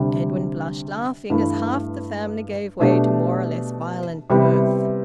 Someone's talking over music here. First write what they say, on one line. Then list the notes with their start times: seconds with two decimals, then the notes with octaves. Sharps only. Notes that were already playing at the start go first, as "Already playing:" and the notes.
Edwin blushed, laughing, as half the family gave way to more or less violent mirth.
Already playing: D2 C3 G3
1.30 G2 E3 A3 E4
2.80 B2 A3 D4 G4
4.30 C3 G3 B3 E4 G4